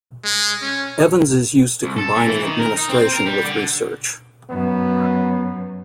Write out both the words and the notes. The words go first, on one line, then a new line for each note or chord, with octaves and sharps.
Evans is used to combining administration with research.
G#3
C#4
C2
A4
A#2
E3
D#3
A#4
D#4
C4
A#4
G3
D3
F#2 B3